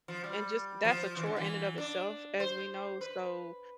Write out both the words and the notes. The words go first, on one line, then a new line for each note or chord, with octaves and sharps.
and just that's a chore in and of itself as we know, so,
F3
G3
F3
E3
D3
E3
D4
C5
B4